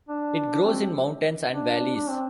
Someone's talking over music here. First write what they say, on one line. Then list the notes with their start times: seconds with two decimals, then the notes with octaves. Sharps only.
It grows in mountains and valleys.
0.09 D4
0.65 C4
1.51 D4
1.96 D4
2.09 C4